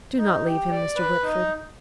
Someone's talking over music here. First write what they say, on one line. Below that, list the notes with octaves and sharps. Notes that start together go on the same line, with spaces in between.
"Do not leave him, Mr. Whitford."
D#4
G4
D5
B4
D#4